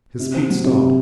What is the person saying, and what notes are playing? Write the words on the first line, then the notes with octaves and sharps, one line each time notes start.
His feet stopped.
C3
C4
F#3
C3
C3